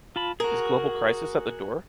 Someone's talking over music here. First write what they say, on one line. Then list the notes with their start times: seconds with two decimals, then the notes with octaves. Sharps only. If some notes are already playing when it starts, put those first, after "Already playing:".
Is global crisis at the door?
0.16 F4 A5 B5
0.40 F#4 G#4 A#4